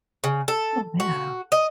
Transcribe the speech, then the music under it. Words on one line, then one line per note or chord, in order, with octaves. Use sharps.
Oh, yeah.
C#3
A4
F#4
D#5